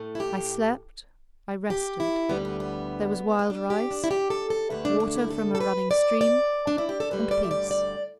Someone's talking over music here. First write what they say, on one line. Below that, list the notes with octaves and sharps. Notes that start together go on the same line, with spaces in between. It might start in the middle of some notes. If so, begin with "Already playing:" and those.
I slept; I rested; there was wild rice, water from a running stream--and peace!
Already playing: A2 A3
E4
G4
G4
E4
D2 D3 G3 B3
B3
B3
B3
D4
G4
D4
E4
G4
A4
A4
D2 D3 A3 B4
D4
D4
E4
A4
A4
B4
D5
D5
D4
E4
G4
A4
D2 D3 G3 B4
D5
E5
D5
D5